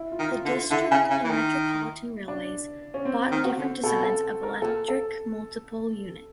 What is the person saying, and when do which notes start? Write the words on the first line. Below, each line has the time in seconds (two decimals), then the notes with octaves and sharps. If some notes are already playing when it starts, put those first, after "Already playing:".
The District and Metropolitan Railways bought different designs of electric multiple unit.
Already playing: E4
0.12 F4
0.19 D#3
0.31 F4
0.45 D3
0.51 F4
0.71 D3 E4
0.91 C#3
1.10 C#3
1.24 E3
1.30 D#3
2.28 D4
2.94 C#4
3.05 C4
3.25 C4
3.31 D#3
3.45 F#4
3.58 D3
3.84 B2 A4
4.03 A4
4.43 A#4
4.62 A#2 A4
4.88 A4